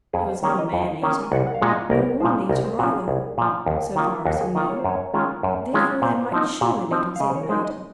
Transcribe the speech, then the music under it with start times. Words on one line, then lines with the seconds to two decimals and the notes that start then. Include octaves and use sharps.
He was no man-eater, nor woman-eater either, so far as he knew; therefore they might surely let him see the maiden.
0.13 F2 G#4
0.29 C5
0.43 D#3 A#3 C#4 C#5
0.59 D#5
0.73 F2 D#5
1.02 D#3 A#3 C#4
1.23 G#5
1.32 C2 F#5
1.47 F#5
1.54 F5
1.61 A#2 F3 G#3 F#5
1.69 D#5
1.76 F5
1.90 C2 A#4
2.20 A#2 F3 G#3 C5
2.49 C2 A#4
2.65 C5
2.79 A#2 F3 F#4
2.93 G#4
3.08 C2
3.38 A#2 F3
3.66 D#2
3.96 D#3 A#3 F4
4.25 D#2 F#4
4.41 G#4
4.55 D#3 A#3 F4 D#5
4.70 C#5
4.79 C5
4.84 F#2 C#5
5.14 D#3 G#3 C#4 F4
5.43 F#2
5.73 D#3 G#3 C#4 F4
6.02 A#2 C5
6.32 F3 C4 D#4
6.61 A#2
6.91 F3 C4 D#4
7.16 F5
7.20 C#3 D#5
7.30 C5
7.35 C#5
7.43 A#4
7.49 G#3 D#4 C5
7.65 D#5